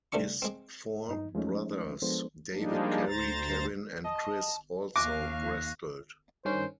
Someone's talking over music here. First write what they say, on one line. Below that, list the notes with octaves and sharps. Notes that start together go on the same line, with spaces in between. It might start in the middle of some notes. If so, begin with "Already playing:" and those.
His four brothers, David, Kerry, Kevin and Chris, also wrestled.
C2 A3 C4 D4 C#6
G#3 C4
G2 D#4
F3 G#3 A3 C#4 D#4
F3 G#3 B3 D4 A4 C5
F3 G3 G#3 A#3 D4 D#4
D2 C5 A#5 A6
D#5 A5
D#2 F5 C#6 D6 F#6 A#6
G2 D#3 C#4 C5